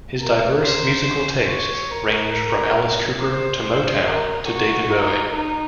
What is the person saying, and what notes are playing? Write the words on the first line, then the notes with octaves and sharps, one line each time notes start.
His diverse musical tastes range from Alice Cooper to Motown to David Bowie.
A#4
C5
C#5
A#4
C5
C5
A#4
F#4
D#4
D#4